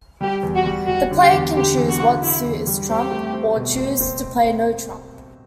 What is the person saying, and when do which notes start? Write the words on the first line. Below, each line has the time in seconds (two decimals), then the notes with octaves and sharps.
The player can choose what suit is trump, or choose to play No Trump.
0.21 G3 G4
0.43 E2
0.55 F#4
0.66 G3
0.88 G3 F#4
1.11 D3
1.22 G4
1.33 E2
1.55 D3 G4
1.77 E2
1.88 F#4
2.00 D3
2.22 D3 E4
2.45 E2
2.67 G3
2.89 C4 G4
3.11 A3
3.33 C4
3.56 B2
3.78 C4
4.00 C4